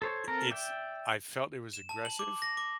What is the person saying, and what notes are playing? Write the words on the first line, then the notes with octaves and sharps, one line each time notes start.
it's I felt it was aggressive.
A4 C5 C#5
C4 A4 A#4 A#5
D5 E5 G5
E7
A5
F#7
D6
A#6
D6